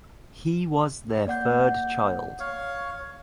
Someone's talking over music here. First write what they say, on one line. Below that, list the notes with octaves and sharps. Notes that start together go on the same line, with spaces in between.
He was their third child.
A#3 D5 F#5 G6
C#5 F5